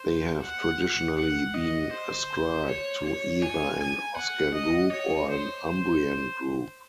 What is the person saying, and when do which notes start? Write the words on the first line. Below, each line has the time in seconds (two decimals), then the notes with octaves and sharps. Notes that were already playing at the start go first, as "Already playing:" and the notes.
They have traditionally been ascribed to either an Oscan group or an Umbrian group.
Already playing: C5
0.42 F#5
1.17 F#5
1.54 D#5
1.91 C5
2.67 C#5
3.05 C#5
3.42 G#5
3.79 G#5
4.17 F#5
4.55 D#5
4.92 C#5
5.30 C5
5.67 C5